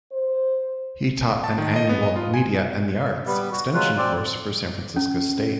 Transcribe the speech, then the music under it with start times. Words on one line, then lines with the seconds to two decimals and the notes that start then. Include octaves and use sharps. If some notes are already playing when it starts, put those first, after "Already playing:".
He taught an annual "Media and the Arts" extension course for San Francisco State.
0.12 C5
1.44 A5
1.58 D#3
1.76 D#5
1.89 B3
2.03 D#5
2.16 F4
2.34 G#5
3.26 G3 B3
3.52 F#4
3.73 F#3 G#3 F4 B4
3.97 C4 D5
4.96 C#4